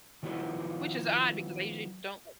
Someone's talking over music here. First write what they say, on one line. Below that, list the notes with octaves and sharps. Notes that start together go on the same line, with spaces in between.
Which is odd because I usually don't like it.
D#3 F3 B3 E4 F#4 B4